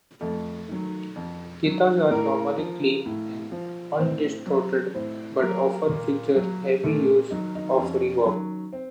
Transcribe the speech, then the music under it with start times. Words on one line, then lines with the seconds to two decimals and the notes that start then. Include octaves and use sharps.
Guitars are normally clean and undistorted but often feature heavy use of reverb.
0.21 F2 A3 A4
0.68 D#3 F#3
1.16 F2
1.63 D#3 F#3
2.10 A2 A#3 A#4
2.57 F3
3.06 A2
3.52 F3
3.99 A2 C4 C5
4.47 F#3
4.95 A2 C4 C5
5.41 F#3 A#3 A#4
5.89 A#2
6.36 F#3
6.83 A#2 A3 A4
7.31 D#3 F#3 D#4
7.55 D#3 D#4
7.78 F2 C#4
8.25 D#3 F#3
8.73 C4